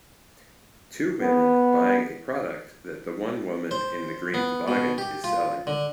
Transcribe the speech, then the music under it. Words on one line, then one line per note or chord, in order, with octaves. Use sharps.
Two women buying a product that the one woman in the green toboggan is selling.
B3
C5
B3
B2
G4
F4
D3